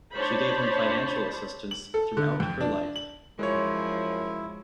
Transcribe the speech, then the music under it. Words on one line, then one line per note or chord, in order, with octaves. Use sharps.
She gave him financial assistance throughout her life.
D4 C5 C#5 A5 B5
F#7
A4
D3
F2
D4
F#7
F#2 F3 G#3 E4 C#5